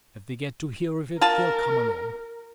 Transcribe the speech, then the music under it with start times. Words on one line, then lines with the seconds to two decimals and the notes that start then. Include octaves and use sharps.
If they get to hear of it they'll come along.
1.21 F4 A#4 A5